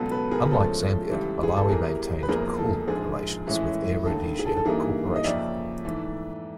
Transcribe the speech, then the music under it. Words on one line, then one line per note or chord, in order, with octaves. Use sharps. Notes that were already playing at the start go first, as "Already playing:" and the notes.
Unlike Zambia, Malawi maintained 'cool' relations with Air Rhodesia Corporation.
Already playing: C#2 B2 F#3 B3 A4
A4 B4
G#4 A#4
G#4
A2 F3 G#3 C#4 A4
C#2 C#3 E3 G3
G#4
A4
E2 C3 E3 G3 G#4 A#4
B4
E1 E2 C3 F3 A#3 G#4 A#4
A4
A#1 G#2 F3 G#3 G#4
A2 E3 G#3 C#4 E4
E1 D#2 D3 A4
G#4
A4
A4
G2 E3 G3 A#3 D#4 G#4 A#4
D#5
F2 C#3 F3 A#3 C#4 D5 E5
G#2 E3 A3